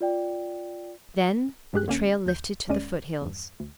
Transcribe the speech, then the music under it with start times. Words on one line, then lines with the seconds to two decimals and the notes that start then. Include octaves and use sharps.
Then the trail lifted to the foothills.
0.01 F4 D5 G5
1.73 A#1 G2 G#3 G4 G#4 F#6
1.86 D2 D3 A#3 C#4
2.26 D2 G6
2.68 G1 D#2 G#3 C#4 D5 D#7
3.22 E2 G2
3.60 D2